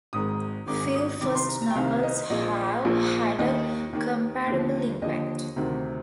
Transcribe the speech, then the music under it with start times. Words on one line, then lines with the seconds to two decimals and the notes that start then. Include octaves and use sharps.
Few first novels have had a comparable impact.
0.13 G#1 G#2 D#3 D#6
0.67 G#1 G#2 D#3 D6
0.94 D#6
1.21 C2 C3 D#3 D6
1.35 C6
1.49 A#5
1.62 A#5
1.70 G5
1.75 C2 C3 D#3 F5
2.03 D#5
2.30 A#1 A#2 F3 D#5
2.85 A#1 A#2 F3
3.38 D#2 D#3 D#5
3.93 D#2 D#3
4.47 D#2 D3 F3
5.02 D#2 D3 F3 D#5
5.56 D2 C3 D#3